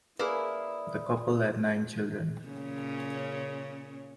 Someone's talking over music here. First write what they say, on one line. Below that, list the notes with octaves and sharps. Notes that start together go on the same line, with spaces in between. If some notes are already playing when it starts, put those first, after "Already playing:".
The couple had nine children.
A#3 E4 G#4 A#4 B4 D5 D#6
A#2 C#3 C#4